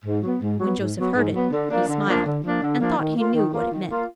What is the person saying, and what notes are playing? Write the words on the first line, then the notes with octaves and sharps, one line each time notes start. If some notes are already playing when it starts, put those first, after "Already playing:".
When Joseph heard it, he smiled, and thought he knew what it meant.
G#2
F#3 B3
G#2
F#3 B3
G#2
F#3 B3
G#2
F#3 B3
D3
F3 A#3 D4
D3
F3 A#3 D4
D3
F3 A#3 D4
D3
F3 A#3 D4
D#3
A#3 F4
D#3
A#3 F4
D#3
A#3 F4